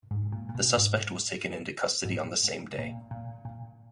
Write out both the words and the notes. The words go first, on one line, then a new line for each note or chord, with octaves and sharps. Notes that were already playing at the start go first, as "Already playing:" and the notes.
The suspect was taken into custody on the same day.
G#2
A#2
A#2
B2
G#2
G#2
A#2
G#2
A#2
A#2
A#2